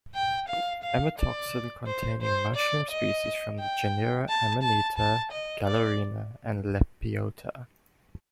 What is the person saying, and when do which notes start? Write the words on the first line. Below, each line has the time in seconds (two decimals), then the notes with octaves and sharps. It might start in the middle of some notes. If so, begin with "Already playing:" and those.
Amatoxin-containing mushroom species from the genera "Amanita", "Galerina" and "Lepiota".
0.15 G5
0.49 F5
0.83 F5
1.18 D5
1.87 C5
2.22 C5
2.56 D5
2.91 D#5
3.59 G5
4.29 A5
4.63 A5
4.98 A5
5.32 D#5
5.66 D5